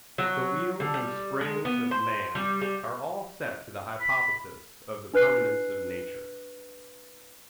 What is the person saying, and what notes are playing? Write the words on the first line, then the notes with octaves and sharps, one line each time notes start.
The wheels and springs of man are all set to the hypothesis of the permanence of nature.
F#3
D3
G3
G#3
B3
C5
G3
G3
B5
D4 B4 F#6 C7